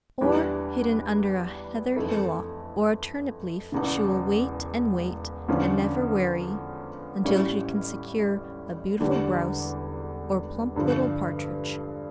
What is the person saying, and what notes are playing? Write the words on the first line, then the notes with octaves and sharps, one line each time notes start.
Or, hidden under a heather hillock, or a turnip-leaf, she will wait and wait, and never weary, until she can secure a beautiful grouse, or plump little partridge.
E2 E3 G3 D4
F2 E3 A3 E4 A4
E1 E2 C#3
E2 D3 F3 C#4 F4
A1 A2 G3 C#4 E4
E1 E2 D3 G3
G2 D3 F3